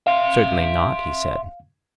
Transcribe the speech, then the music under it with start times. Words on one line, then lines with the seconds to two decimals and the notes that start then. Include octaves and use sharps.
Certainly not, he said.
0.07 E5 F5 C6